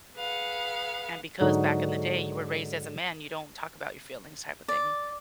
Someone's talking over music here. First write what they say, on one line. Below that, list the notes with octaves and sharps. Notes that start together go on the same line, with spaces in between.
And because, back in the day, you were raised as a man, you don't talk about your feelings type of thing
G#4 B4 F5 F#5
G#2 D3 F#3 D#4 F#4
D5